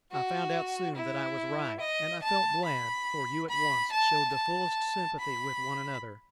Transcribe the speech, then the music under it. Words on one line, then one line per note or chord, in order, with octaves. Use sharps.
I found out soon that I was right, and I felt glad, for you at once showed the fullest sympathy with one another.
F#4
E4
D#5
A5
B5
B5
A5
A5
B5